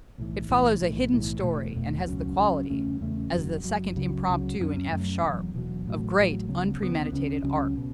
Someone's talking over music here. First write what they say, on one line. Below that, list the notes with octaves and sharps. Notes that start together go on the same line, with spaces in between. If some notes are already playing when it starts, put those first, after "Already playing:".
It follows a hidden story, and has the quality--as the second Impromptu in F sharp--of great, unpremeditated art.
B1 A2 E3
B1 A2 E3
B1 A2 E3
B1 A2 E3
E1 E2 B2 A3
E1 E2 B2 A3
C#2 C#3 F#3 C#4
C#2 C#3 F#3 C#4
E2 C#3 A3 C#4
E2 C#3 A3 C#4
F#1 F#2 F#3
F#1 F#2 F#3
C#2 C#3 F#3
C#2 C#3 F#3
F#2 F#3 A3 C#4
F#2 F#3 A3 C#4
E1 E2 B2 F#3
E1 E2 B2 F#3
A1 A2 F#3
A1 A2 F#3
C#2 C#3 F#3 B3
C#2 C#3 F#3 B3
C#2 C#3 F#3 C#4
C#2 C#3 F#3 C#4
B2